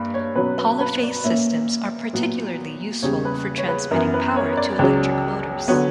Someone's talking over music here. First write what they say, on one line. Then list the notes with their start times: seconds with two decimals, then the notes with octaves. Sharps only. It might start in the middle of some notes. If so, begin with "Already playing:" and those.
Polyphase systems are particularly useful for transmitting power to electric motors.
Already playing: G2 A#3 B5
0.14 C#5
0.35 B2 F#3 C#4 B4
0.59 B4
0.80 B4
1.03 D5
1.24 A#2 A#3 C#4 E5
2.13 A#2 F#3 B3
3.02 E2 C#3 G3 C#4 C#5
3.25 B4
3.58 C#5
3.68 B4
3.91 F#2 E3 B3 A#4
4.14 B4
4.36 C#5
4.57 D5
4.79 C#2 C#3 F#3 C#4
5.68 D3 F#3 B3 C#5